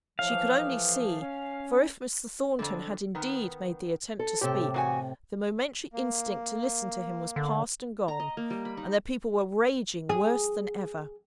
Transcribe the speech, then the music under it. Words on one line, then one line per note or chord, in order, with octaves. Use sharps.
She could only see; for if Mr. Thornton had indeed made the attempt to speak, the momentary instinct to listen to him was past and gone, and the people were raging worse than ever.
A2 E3 F3 F5
C#4
F2 D3
D#3 B3
A4
A2 C3 G4 A4
E2 F#4 G#5
A#3
D3
A#5
D#5
A#3
G3
B5
D#4
G#4